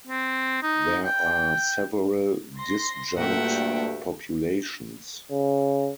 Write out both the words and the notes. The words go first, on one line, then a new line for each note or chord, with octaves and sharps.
There are several disjunct populations.
C4
D#4
G5
C6 A#6
D2 G2 A#2 A3 E5 F#5 G5
C#3